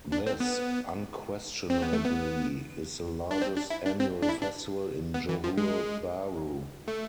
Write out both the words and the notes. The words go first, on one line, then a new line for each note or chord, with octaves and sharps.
This unquestionably is the largest annual festival in Johor Bahru.
D4
C4
B3
C4
B3
A3
B3
D4
C4
D4
E4
D4
C4
D4
E4
D4
B3
E3
F3
G#3
A3